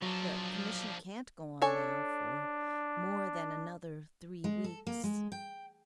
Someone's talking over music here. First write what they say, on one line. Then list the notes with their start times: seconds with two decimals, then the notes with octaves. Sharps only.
The Commission can't go on now for more than another three weeks.
0.02 F3 F#3 D4
1.62 D4 A4 C#5 G#5
4.44 G#3
4.64 A4
4.87 A#3
5.04 G#3
5.32 G5